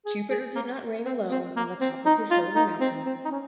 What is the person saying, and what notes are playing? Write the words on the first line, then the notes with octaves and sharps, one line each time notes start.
Jupiter did not reign alone on the top of his holy mountain.
G#4
G#4
A#3
C4
C4
A#3
C4
D#4
F4
D#4
C4
C4
D#4
C#4